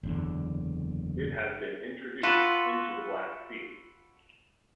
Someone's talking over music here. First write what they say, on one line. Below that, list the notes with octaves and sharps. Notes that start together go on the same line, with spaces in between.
It has been introduced into the Black Sea.
F#1 E2 D3
F4 F#4 A4 B4